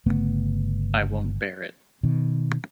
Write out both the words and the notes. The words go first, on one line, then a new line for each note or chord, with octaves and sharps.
I won’t bear it.
G1 C#3 A3 B3
B2 D#3